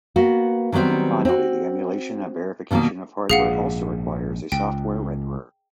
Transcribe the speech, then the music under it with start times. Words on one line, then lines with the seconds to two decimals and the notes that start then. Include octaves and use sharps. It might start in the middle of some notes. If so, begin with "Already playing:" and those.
And finally the emulation and verification of hardware also requires a software renderer.
0.16 A#3 B3 F#4
0.72 D#3 F#3 G3 B3 C4
1.25 C4 F#4
2.71 B2 D3 D#3 G3 A#3
3.30 A#1 G#2 G#4 F5 F#5
4.52 C#2 G5